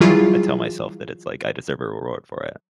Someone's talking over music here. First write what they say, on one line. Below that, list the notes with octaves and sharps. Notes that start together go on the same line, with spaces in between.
I tell myself that it's like, "I deserve a reward for it."
E3 F#3 G3 E4 F4 G#4